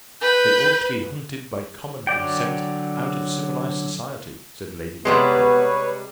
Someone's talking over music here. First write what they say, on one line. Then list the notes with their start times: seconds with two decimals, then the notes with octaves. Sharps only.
"They ought to be hunted by common consent out of civilized society," said Lady Delacour.
0.22 B4 G6
2.07 D3 F#3 D5 G5
5.05 C3 G3 G#3 B3 B4 C#5